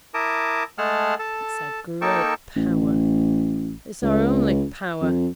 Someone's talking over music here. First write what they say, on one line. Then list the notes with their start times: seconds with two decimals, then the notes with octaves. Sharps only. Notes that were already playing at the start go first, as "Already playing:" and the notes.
It's a great power: it's our only power.
0.14 E4 A#4 A5 D6 D#6
0.78 G#3 A3 G#4 F#5 A5 F6
1.19 A4 A5
2.01 A#3 D#4 A4 G5 A5 C#6
2.56 A1
4.02 C#2
5.01 F2